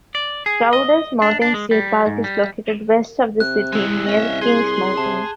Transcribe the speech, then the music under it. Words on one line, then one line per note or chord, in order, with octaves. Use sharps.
Crowders Mountain State Park is located west of the city, near Kings Mountain.
D5
G#4
D#5
D4
D4
G#3
G3
G#2
G3
C3 F#6
G#3 E4
C2 C#4 D#5 E5
G#4 C6 G7
C3 A5